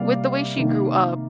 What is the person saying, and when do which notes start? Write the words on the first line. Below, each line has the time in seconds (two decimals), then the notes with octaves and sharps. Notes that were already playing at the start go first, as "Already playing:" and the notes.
with the way she grew up,
Already playing: C3 G3 A#3 D5 F5
0.56 C3 D#3 A#3